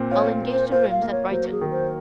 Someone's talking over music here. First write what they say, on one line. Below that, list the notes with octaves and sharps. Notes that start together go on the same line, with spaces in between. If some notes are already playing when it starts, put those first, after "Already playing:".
I'll engage the rooms at Brighton.
Already playing: A#2 C4
F4 C#5
A#3
C5
F4 C5
F5
A#3
C#5
F#3 C5
G#4
D#3
C5